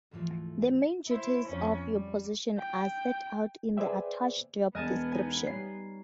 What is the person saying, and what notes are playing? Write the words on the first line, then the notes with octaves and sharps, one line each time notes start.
The main duties of your position are set out in the attached job description.
D2 G#2 E3 F3 A3
E4 C5
F2 C#4
G3
G5
G#4 B4 C5 D5 E5 G5
E1 B3 D#5 G#5 A5 F6 F#6
D#4 G#5
G3 C#5 C7